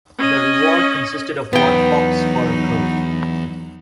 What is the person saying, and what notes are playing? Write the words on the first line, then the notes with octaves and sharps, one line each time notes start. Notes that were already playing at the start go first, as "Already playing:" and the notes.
The reward consisted of one fox fur coat.
C#4 D#5
E2 F#3 B3 D#4 G5